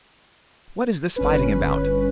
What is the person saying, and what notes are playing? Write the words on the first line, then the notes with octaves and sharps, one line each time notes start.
What is this fighting about?
G1 C#4 B4